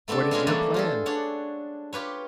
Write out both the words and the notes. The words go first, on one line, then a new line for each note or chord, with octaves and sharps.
"What is your plan?"
A3 B3 C4 D4 A4
G#3 B3 C#4 F4 F#4 G#4
E3 G3 A3 A#3 D4
F4 G#4 A4
D4 C#5 F#5
F4 G4 B4 C#5